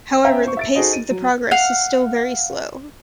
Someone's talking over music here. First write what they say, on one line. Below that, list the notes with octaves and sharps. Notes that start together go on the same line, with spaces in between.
However, the pace of the progress is still very slow.
C#4 C5 E5 F5 G5 A#5
C5 C#6
E5 A6 D7
D#4 F#4 G#4 A4 C5 D#5
D#7
F#3
F5 F#5